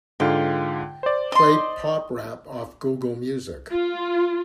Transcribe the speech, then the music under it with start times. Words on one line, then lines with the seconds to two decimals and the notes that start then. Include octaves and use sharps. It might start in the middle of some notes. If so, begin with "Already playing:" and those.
Play pop-rap off Google Music.
0.20 G#2 D3 F4 G5
1.03 C5 D5
1.32 D#5 C6
3.70 F4